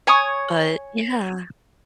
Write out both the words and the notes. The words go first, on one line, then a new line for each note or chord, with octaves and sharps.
but yeah.
C#5 G#5 C#6 D#6